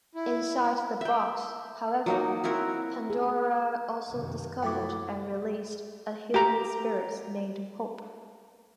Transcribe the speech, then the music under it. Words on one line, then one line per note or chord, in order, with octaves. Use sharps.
Inside the box, however, Pandora also discovered and released a healing spirit named Hope.
E4
E5 G5
F#3 A#3 D#4
C4 E4 F#4 A#4
G#4
F#2 C3 D#3
F#3 A3 A#3 E4 G5 D6
G4 A#5